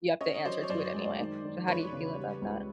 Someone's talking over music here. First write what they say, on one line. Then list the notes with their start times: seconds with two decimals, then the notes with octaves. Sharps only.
you have to answer to it anyway. So how do you feel about that?
0.21 C#4 C#5 D#5
0.45 F#3 C5 D5
0.63 C#5
0.69 F#2 C5 D5
0.94 G#3
1.19 D#3
1.44 D#3
1.68 E1 B4 C#5
1.93 C#3
2.17 G3
2.42 C#2